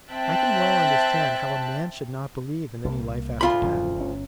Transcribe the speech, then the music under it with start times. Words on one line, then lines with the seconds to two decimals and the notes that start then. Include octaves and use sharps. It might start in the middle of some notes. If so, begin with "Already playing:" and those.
I can well understand how a man should not believe in any life after death.
0.11 C4 E5 G5 A5 F#6
2.85 C2 A3 A#3
3.41 D2 F4 B5
3.62 D#1 F#2 F3
3.97 G1 C#4